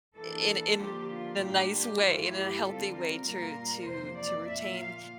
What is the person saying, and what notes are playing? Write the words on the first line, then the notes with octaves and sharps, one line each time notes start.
in in a nice way, in a healthy way to to to retain,
E3 A#3 D4 A4
D3 F3 A#3 D4 F4 G4
F4
A2 G3 A#3 D4 F4 G4
G4
G2 E3 A3 E4 F4
G4
D3 G3 C4 F4 A4
A#4
A#2 G3 A#3 F4 A#4
F2 C3 E3 A#3 C5
D5
A#2 F3 A#3 F4 E5
F5